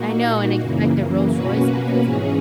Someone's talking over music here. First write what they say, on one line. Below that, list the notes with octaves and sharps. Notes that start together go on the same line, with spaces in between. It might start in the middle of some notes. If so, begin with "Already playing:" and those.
I know, and I expect a Rolls Royce because of it.
Already playing: A#2 A#3 D#4 F#4
F#2 C#3 E3 A#3
B2 A#3 C#4 F#4 B4
G#2 E3 G#3 C#4 G#4